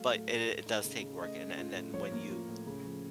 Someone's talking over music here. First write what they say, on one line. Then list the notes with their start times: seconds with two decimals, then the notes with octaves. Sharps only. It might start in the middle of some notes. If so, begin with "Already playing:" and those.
but it it it does take work, and and then when you,
Already playing: F#3 A3 F5
0.12 A2
0.31 A2
0.48 A3
0.66 D#4
0.84 C#3
1.02 C#3
1.21 A3 D#5
1.39 C#4
1.58 F4
1.75 A2
1.94 F3 C#5
2.12 A#3
2.30 F4
2.48 A2
2.66 C#3
2.85 F3